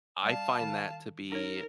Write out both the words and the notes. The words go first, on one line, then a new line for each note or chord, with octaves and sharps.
I find that to be
G3 D5 F5 A5
D#3
D#4 A#4 C#5